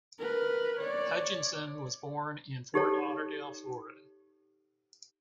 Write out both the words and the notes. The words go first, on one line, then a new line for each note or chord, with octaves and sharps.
Hutchinson was born in Fort Lauderdale, Florida.
A#4 B4
C#5 D5
D#4 G4 A4 C#5